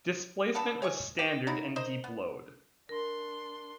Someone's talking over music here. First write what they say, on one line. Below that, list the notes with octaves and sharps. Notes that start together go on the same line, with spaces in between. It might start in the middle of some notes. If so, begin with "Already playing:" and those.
Displacement was standard and deep load.
B2 D3 B3 A4
C#5 D#5 G#5 C#6
G4
F#3 D#4 E4
A#4 C5 D#5
B3
D4 A#4 C6